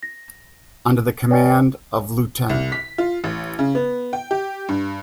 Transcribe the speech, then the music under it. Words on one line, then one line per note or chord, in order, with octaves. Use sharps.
Under the command of Lieut.
A#6
B4 C#5 D5 G5 G#5
C2
B6
F4
A1
C#3
B3
G5
G4
G2